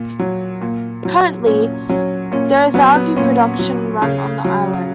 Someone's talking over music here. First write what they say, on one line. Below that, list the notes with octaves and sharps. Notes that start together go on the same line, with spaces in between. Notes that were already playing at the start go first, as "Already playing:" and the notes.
Currently, there is algae production run on the island.
Already playing: A#2
F#3
A#2
F#3
A#2 C#4
F#3 C#4
A#2 C#4
F#3 B3
B3
A#2 C#4
F#3
C#3
F#3